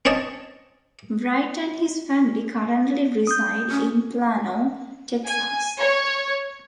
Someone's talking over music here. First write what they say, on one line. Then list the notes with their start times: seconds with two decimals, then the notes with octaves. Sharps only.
Wright and his family currently reside in Plano, Texas.
0.05 C4 C#4 C#5 D#5 A5
3.27 D#6 G6
3.71 C#4
5.26 G#5
5.79 C#5